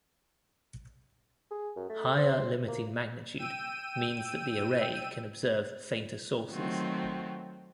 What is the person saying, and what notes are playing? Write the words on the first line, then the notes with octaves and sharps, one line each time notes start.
Higher limiting magnitude means that the array can observe fainter sources.
G#4
F#2
A3
C5
A#3
G5 E6 D#7
D#3 F#3 A3 C4 F4 F#4